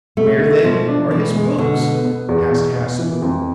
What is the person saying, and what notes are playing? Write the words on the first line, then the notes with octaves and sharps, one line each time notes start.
'Where, then, are his books?' asked Hassebu.
B2 A3
B2
B2 F3
D4
B2 E3
G#3
B2 D3
B3
B3
E2
B2
B3
E3
F2